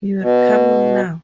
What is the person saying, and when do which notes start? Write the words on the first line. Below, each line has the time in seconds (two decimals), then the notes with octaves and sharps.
You're coming now.
0.22 B2